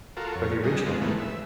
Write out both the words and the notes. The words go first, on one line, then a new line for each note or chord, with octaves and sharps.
or the original was live?
F4 F#4 A4 A#4
F2 C#5
F#3 G3 G#4 D#5
G#3 B3 F4
A2 D#3 E3 G#3 A3 B3
E5